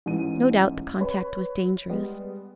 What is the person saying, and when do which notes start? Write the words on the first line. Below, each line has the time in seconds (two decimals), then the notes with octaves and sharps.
No doubt the contact was dangerous.
0.06 A1 G#2 E3 D#7
1.00 B4 C#5 B5
1.90 G3 G#3 B3